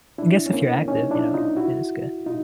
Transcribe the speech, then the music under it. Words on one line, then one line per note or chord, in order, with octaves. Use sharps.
guess if you're active, you know, then it's good.
D4 E4
C#4
A#3 C4
C#4 D#4
D4 E4
D#4 F4
E4 F#4
D#4 F4